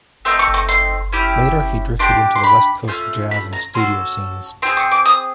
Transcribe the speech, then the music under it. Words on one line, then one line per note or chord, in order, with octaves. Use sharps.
Later, he drifted into the "West Coast Jazz" and studio scenes.
A3 C4 D#4 C6
C#6
C#6
C6
C#4 E4 G4
D4 G4 C6
C6
B5
A3 C#4 F4
B5
A#5
C#4 F#4 A4 C6
C4 F4 G#4 C6
C#6
D6
D#6